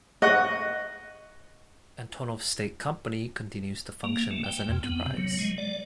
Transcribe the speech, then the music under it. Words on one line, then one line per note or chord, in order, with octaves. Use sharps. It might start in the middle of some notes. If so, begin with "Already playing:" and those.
Antonov State Company continues to function as an enterprise.
D#5 F#5 C#6 F#6
A#3
A3
G5
F2
B3
C3
F#3
G#3
D5